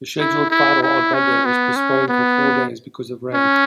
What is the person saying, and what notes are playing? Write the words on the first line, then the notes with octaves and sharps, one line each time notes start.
The scheduled final on Monday was postponed for four days because of rain.
E4
E4
E4
C#4
B3
C#4
B3
C#4